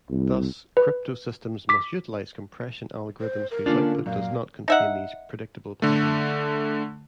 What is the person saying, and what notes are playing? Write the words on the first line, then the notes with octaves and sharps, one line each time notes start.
Thus, cryptosystems must utilize compression algorithms whose output does not contain these predictable patterns.
C2
B4
D6 B6
C5
A#4
D3 A#3 C#4 D4 F4 D5
F#2 A#2 F5
D#4 E5 F#5
D3 A3